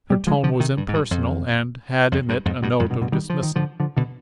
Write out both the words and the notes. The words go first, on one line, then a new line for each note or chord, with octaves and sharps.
Her tone was impersonal and had in it a note of dismissal.
G3 B3
F3 G#3
D3 F3
C3 D#3
G2
G#2
G2
F2
F2
G2
F2 G#2
G2 B2
F2 G#2
G2 B2
G2 B2
D#3 G3
F3
D#3
D3 F3
D3 F3
B2 D3